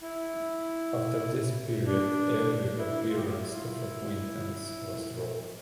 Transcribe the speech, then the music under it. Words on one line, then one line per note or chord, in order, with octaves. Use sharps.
After this period every appearance of acquaintance was dropped.
E4
D4
E4
F4
G4
F4
E4
F4
E4